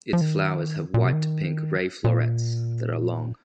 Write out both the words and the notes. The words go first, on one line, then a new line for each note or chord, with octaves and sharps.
Its flowers have white to pink ray florets that are long.
F3
D#3
A#2
C3
D#3
A#2